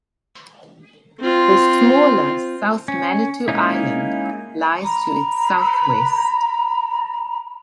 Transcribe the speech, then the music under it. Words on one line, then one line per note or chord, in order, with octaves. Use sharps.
The smaller South Manitou Island lies to its southwest.
C4 F4
C#4
G#3 A#3 C#4 D#4 E4
A#5 B5